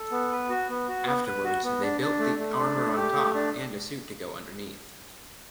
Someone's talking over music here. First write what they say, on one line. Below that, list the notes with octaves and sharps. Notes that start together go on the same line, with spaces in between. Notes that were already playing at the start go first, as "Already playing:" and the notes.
Afterwards they built the armor on top and a suit to go underneath.
Already playing: A4
B3
B4
F#4
B3
F#4
B3
B4
F#4
B3
D4
D4
A3
A3
D4
A3
G4
A3
D4